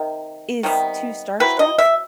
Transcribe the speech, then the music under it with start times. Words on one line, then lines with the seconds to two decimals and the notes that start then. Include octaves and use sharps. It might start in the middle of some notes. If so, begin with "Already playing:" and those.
is too starstruck
Already playing: C3 D#3
0.63 C3 D#3 G3 B3
1.40 F#3 C4 E4 B4
1.59 D#5
1.78 E5